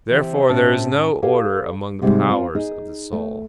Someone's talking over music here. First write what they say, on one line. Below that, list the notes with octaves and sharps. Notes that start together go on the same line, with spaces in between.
Therefore there is no order among the powers of the soul.
C3 E3 G4
A2 C#4 A5
G4 A4 C#5 F5
G#2 C3 G3 G#3
C4 F4
D#4 G#4
A3